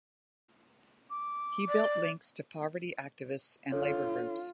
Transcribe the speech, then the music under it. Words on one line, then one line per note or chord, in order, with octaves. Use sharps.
He built links to poverty activists and labour groups.
D6
D5
D4 F4 A4 C#5